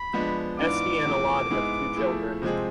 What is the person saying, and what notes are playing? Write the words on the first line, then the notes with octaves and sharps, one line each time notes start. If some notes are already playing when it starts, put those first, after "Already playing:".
Esti and Elad have two children.
Already playing: B5
F3 G#3 B3 D4
G#2 E3 B3 D4 F4 D6
E2 C3 F3 A3
G#2 G#3 B3 E4 G#4
F3 A3 E4 G#4
C3 F3 G#3 C4 G#4